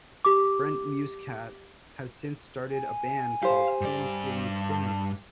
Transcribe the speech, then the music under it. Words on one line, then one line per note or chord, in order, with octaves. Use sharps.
Brent Muscat has since started a band called Sin City Sinners.
G4 D6
G#5
G4 C5 F5
G2 D5
A5